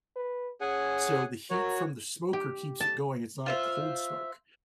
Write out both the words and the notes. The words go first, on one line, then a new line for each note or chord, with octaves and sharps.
so the heat from the smoker keeps it going it's not a cold smoke,
B4
C#4 G#4 F#5 G#5
F#4 A#4 C#5
G4
A5
F4 C5 E5